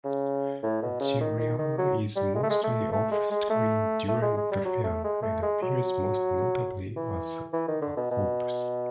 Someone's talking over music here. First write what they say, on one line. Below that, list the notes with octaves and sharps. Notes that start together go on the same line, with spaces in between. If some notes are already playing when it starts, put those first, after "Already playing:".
Giuliano is mostly off-screen during the film and appears most notably as a corpse.
C#3
A2
B2
C#3
D#3
D#3
D#3
F#3
G3
G#3
A3
G#3
A3
A3
G#3
G#3
A3
A3
G#3
G#3
G3
F#3
A3
G#3
A3
G#3
F#3
E3
E3
D#3
D3
B2
B2